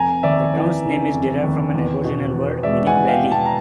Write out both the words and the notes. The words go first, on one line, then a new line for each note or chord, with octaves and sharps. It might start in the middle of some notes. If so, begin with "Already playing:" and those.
The town's name is derived from an aboriginal word meaning "valley".
Already playing: F1 G#5 A#5
D#2 D5 E5
E3 D5
C#3
F1
D#2
E2
B2
E2
G#3 D5 E5
F#5 G#5
E2
F5 G5
B2
G5 A5
A#5